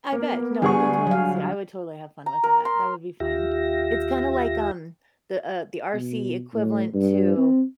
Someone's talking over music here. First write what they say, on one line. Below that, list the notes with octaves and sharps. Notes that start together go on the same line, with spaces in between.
I bet, no, I can totally see, I would totally have fun with that, that would be fun. It's kinda like, um, the, uh, the RC equivalent to,
A#3 B3
D2 G3 G#4 G#5 C#6
F#3 F5
A#5
A#4
C6
D#2 F4 G4 E5 A#6
B2
A2
G2
C4